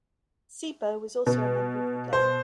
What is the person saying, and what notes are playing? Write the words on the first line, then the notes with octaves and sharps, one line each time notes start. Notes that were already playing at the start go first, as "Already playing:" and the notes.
C-Bo was also a member of the gang.
B2
C5